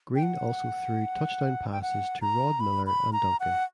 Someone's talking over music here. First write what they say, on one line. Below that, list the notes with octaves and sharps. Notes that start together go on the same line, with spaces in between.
Green also threw touchdown passes to Rod Miller and Duncan.
G5
F#5
G5
F#5
A#5
B5
B5
A#5
F#5